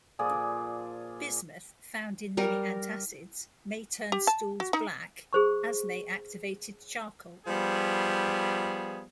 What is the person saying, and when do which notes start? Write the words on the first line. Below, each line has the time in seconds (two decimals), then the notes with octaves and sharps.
Bismuth found in many antacids may turn stools black as may activated charcoal.
0.19 A#2 F3 G#4 D5
2.37 G3 A#4
4.12 G4
4.27 A5
4.60 F#4
4.73 D#4
5.33 G#4 C5 C#6
7.46 F3 G3 B3 G#4